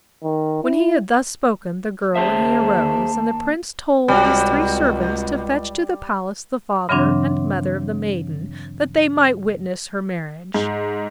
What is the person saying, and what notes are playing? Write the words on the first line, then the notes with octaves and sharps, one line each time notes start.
When he had thus spoken the girl and he arose, and the Prince told his three servants to fetch to the palace the Father and Mother of the Maiden, that they might witness her marriage.
D#3
E4
D#2 A#3 G#4 C5 E5 A5
C#2 C3 G3 F#4
G2 C#3 E3 F#3 C4 D4
G#2